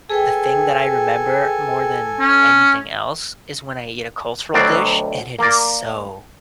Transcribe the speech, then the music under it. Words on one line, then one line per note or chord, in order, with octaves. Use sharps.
the thing that I remember more than anything else, is when I eat a cultural dish and it is so
G#4 A4 B4 G5 G#5
C#4
D2 B2 F#3 C4 D5
A#3 A#4 D5